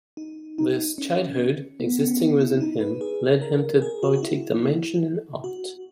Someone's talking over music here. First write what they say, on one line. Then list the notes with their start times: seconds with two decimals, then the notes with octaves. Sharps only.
This 'childhood,' existing within him, led him to the poetic dimension in art.
0.17 D#4
0.58 D#4
0.79 D#4
0.98 C#4
1.80 B3
1.99 C#4
2.20 D#4
2.40 E4
2.61 D#4
2.81 B4
3.01 G#4
3.42 A#4
3.82 G#4
4.03 F#4
4.16 F#4
4.23 E4
5.44 F#4